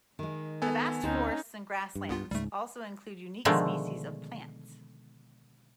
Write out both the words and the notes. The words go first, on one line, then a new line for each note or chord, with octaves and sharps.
The vast forests and grasslands also include unique species of plants.
D#3 G#3
B3 A4 G#5
D2 C4 C#4 D#4 C5
G2
C2 B3 F4
C#2 G#2 G3 A3
B2 D3 D#3 F3 G#3 A3